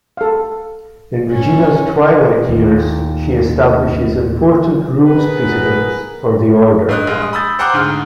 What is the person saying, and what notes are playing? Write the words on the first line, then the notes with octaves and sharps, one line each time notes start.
In Regina's twilight years, she establishes important rules precedents for the Order.
A4 F5
C#4
D#2 A#2
B3 G#4 A#4 B4
G2 D#5 F#6
A#1 G#3
D#6
B5 D#6 E6 G6 A6
C5 F#5 G5 A#5 D6 F#6
D2 G#2 F6